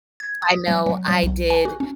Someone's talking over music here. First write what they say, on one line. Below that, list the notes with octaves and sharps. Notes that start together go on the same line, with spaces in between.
I know I did
G#6
D#6
F#3
F#3
F#3
B1
G#5
F#4
C#4